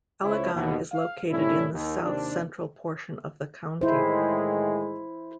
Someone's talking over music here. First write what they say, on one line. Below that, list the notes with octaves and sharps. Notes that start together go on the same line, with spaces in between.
Allegan is located in the south-central portion of the county.
C#2 E4 C5 C#5
D#2 B2
F5
A2 C3 G3 C#4 D4 E4
D#2
D#2 C3 D#3 C4 D4
A2 D#3 G#3 E4 C5